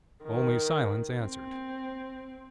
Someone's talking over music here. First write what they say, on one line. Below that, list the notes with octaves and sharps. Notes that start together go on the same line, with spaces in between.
Only silence answered.
D#3
C4